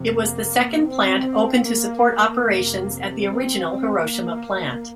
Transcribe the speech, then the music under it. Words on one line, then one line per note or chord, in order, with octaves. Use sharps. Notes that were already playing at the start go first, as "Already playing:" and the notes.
It was the second plant opened to support operations at the original Hiroshima Plant.
Already playing: F2 C3
A#3
C4
A#3
F2 C3 A#3
C4
A#3